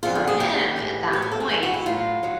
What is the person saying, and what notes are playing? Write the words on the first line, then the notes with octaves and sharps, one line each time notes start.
for him, at that point
F2 D3 F3 G#3 F4
F#4
G#4
D#2 D3 G3 G4
A2 E3 G#3
A2 F#3 B4
A#4
A4
G#4
G2 E3 G#3
F#4
E4
A2 F#3 F4
D#3 F#3